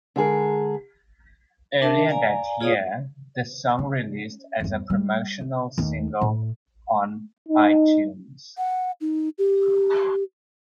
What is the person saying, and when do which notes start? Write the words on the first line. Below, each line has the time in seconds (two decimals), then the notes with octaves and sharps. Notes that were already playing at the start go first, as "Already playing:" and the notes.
Earlier that year, the song released as a promotional single on iTunes.
0.16 D3 G#3 G#4 A#4
1.82 D4 A#4 E5 A5
2.09 D5 F5 G#5 A#5
2.61 F4 G#4 C#5 D5 F5 D#6
3.79 C#4
4.60 E2 G2
4.90 G3
5.41 C#3
5.78 D#2 A3
6.21 A2
7.49 D#4
8.57 F#5
9.01 D#4
9.38 G4